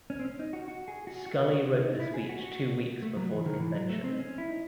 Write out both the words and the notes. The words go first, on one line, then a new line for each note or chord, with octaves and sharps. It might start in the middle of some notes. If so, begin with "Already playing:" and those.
Scully wrote the speech two weeks before the convention.
C#4
C4
C#4
D#4
F#4
F#4
G#4
F#4
F#4
E4
D#4
E4
G#4
F#4
F#4
A3
F#3
E3
D#3
E3
F#3
A3
C4
D#4
C#4
E4
D#4